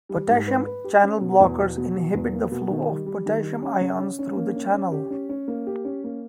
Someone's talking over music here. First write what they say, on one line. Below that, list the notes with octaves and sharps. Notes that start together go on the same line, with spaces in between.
Potassium channel blockers inhibit the flow of potassium ions through the channel.
G3
G#2
B4
B4
G4
C#4
B2
E2
B2
B2
B2
E2
A#3
B2
D#3
G3
G3
D#3
G3
C#4
C#3
C#4
C#4
A#3
C#4
C#4
G4
C#4
C#4
A#3
G4
C#4
A#3